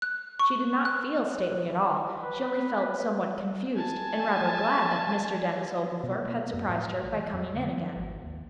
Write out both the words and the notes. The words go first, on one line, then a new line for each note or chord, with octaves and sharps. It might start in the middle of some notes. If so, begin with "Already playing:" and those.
She did not feel stately at all; she only felt somewhat confused, and rather glad that Mr. Denis Oglethorpe had surprised her by coming again.
F#6
C#6
F#6
B4
G#5 A5
B2
A#3
F#2
A2
A#1
E3
F2
D3
F3
G#1
D#2